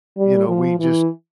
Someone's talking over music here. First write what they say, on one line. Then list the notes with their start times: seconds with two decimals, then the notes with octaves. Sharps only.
you know, we just
0.18 G3
0.48 F3
0.80 E3